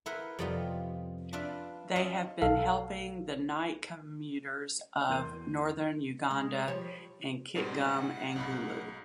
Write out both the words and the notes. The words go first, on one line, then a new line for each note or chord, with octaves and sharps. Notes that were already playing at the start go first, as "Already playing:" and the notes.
They have been helping the Night Commuters of Northern Uganda in Kitgum and Gulu.
E4 A#4 B4 E5 F#5 C6
F2 C3 G3 B3 D#4 F4
D4 F4 B4 D5 E5
C#4 F4 D#5 E5 A5 C6
B1 A4 F5
E2 A#4 C6 G6 D#7
G#3
F3 G3 C#5
G#2 B2 G3 C4
F#5
B1 G#2 B5